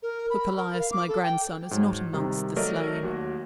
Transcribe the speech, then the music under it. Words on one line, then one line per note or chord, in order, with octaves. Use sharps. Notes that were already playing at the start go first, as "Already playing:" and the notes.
For Callias, my grandson, is not amongst the slain.
A#4
B5
A#4
F5
D6
A4
G5
G#2 F#3
C3 D#3 G3
F#3 A3 A#4 D5 D#5
D#2 F#4